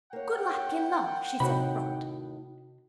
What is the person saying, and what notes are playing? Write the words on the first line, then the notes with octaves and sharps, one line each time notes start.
Good luck in love she said it brought.
A#3 C#5 F#5 G5
D#2 A2 C3 D#4 F#4 B5